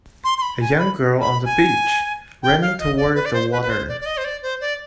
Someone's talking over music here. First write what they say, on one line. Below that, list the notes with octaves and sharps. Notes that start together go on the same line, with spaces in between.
A young girl on the beach, running toward the water.
C6
C6
B5
G#5
B5
B5
G#5
G5
F5
D#5
D5
B4
D5
C5
B4
B4
C5
D5
D5
D#5
C5
D5
C5
D5